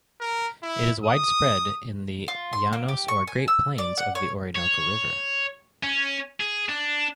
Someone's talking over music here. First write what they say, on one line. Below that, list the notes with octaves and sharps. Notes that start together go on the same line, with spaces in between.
It is widespread in the Llanos or Great Plains of the Orinoco river.
A#4
E4
D#6
F4
C6
A#3
G4
C#6
G#5
E6
D5
F#5
C#5
C#5
C#4
G#4
D4